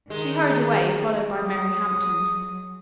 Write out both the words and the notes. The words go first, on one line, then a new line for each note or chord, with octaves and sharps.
She hurried away, followed by Mary Hampton.
D#3 G#3 D#4
F#3 D#6